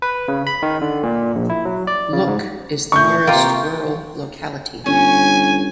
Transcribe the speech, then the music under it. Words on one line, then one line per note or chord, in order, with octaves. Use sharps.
Luch is the nearest rural locality.
B4
C#3
B5
D#3
D3
A#2
A#1
E4
F#3
D5
C#3
G#2
A#2 A3 C#6 G6
C3 A#3 F4 A#4 G5
G1 C#4 C#5 G#5